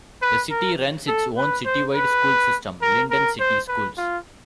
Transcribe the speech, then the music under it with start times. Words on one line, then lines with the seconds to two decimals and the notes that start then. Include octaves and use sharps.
The city runs its own citywide school system, Linden City Schools.
0.22 B4
0.50 A#4
1.08 A4
1.37 B4
1.66 C5
1.94 B4
2.82 A#4
3.10 A#4
3.40 C5
3.68 B4
3.97 F4